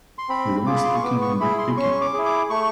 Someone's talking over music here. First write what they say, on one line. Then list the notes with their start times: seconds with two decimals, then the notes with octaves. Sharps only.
Ron's looking a bit peaky.
0.18 C6
0.29 C4 B5
0.66 F4 G#4 D6
0.76 B5
0.85 C6
0.94 C#6
1.03 B3 D6
1.21 C#6
1.40 E4 G#4 B5
1.58 C6
1.77 C#4 C#6
1.83 C6
1.91 C#6
2.01 D6
2.13 E4 G#4
2.25 D6
2.50 A3 C#6